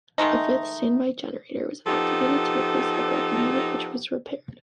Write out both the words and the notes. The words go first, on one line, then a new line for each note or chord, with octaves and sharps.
A fifth standby generator was activated to replace the broken unit, which was repaired.
D#3 G#3 A3 D#4
F3 B3 D#4 G4 A4